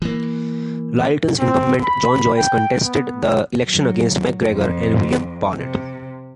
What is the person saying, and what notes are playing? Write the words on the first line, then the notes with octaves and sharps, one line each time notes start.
Lyttelton's incumbent, John Joyce contested the election against McGregor and William Barnett.
E3 A#3
C4
B5
G5
B3
F#3
F2
C3